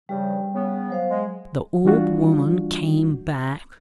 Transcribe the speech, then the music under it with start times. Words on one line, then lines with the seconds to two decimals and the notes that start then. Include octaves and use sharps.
The old woman came back.
0.09 G2 C#3 F3 G3
0.54 C#3 B3
0.90 F#3 C5 F5
1.09 G#3
1.85 E3 G3 D4 F4 F#4